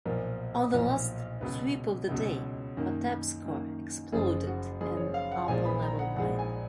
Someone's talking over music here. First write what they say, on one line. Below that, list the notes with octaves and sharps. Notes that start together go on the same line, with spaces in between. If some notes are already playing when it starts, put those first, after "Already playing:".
On the last sweep of the day "Patapsco" exploded an upper level mine.
B1 A#2 F3 A#4
B1 A#2 F3
C#2 B2 F#3 B4
C#2 B2 F#3
F#2 D#3 A#3
F#2 D#3 A#3
F#1 F#2 F3 G#4
F#4
F#1 F#2 F3 G#4
C#5
F5
F#5
A#1 A#2 F3 G#3 G#5
B5
A#5
F#5
A#1 A#2 F3 G#3 F#5
G#5